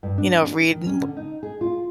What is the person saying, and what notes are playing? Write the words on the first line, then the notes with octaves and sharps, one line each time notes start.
you know, read w
G2
D4
D4
D#3
C#4
D3
D#4
G#4
F4